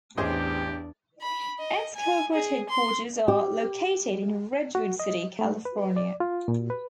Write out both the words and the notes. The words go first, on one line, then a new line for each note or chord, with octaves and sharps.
Its corporate headquarters are located in Redwood City, California.
A1 E2 D4 G4 G#4 C5 D#5
B5
D#5
G#5
G#4
C6
G4
F#4
D#5
A3
B4
D5
F4
A#2
B4